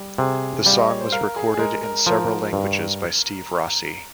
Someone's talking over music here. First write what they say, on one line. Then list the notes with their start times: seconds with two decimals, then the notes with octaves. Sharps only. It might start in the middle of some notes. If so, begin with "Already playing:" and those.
The song was recorded in several languages by Steve Rossi.
Already playing: G3
0.18 C3 G#4
0.66 G3 F5
0.78 D#5
0.89 C#5
1.01 C5
1.12 A#4 F5
1.36 G#4
1.54 G#4
1.59 G#3 A#4
1.83 A#4
2.06 F3 A#4
2.53 G2